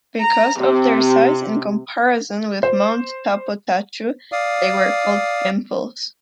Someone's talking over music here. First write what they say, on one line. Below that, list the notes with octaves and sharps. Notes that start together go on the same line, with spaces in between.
Because of their size in comparison with Mount Tapotchau, they were called pimples.
A#5
C3
C5
D5 F5 D#6